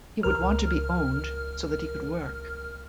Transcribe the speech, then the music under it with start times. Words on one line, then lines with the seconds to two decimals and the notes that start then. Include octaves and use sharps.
He would want to be owned, so that he could work.
0.23 C#2 A#4 F6